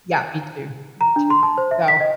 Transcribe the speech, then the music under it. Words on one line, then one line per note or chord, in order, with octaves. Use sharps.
yeah, me too, me too. So,
A#5
D4
C6
A5
C5
E5
B6
D#5